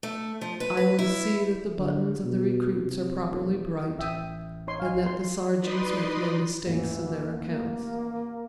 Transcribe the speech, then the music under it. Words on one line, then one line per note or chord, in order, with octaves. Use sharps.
I will see that the buttons of the recruits are properly bright and that the sergeants make no mistakes in their accounts.
A3
F3
B4
B4
E4
D3
B2
C3
E1
A1 E5 G5 D#6
D#4 C#5 C6
F5 G#5
C6
D#4 B4 D5 D#5 B5 C6
A1 D#2 E3
A#3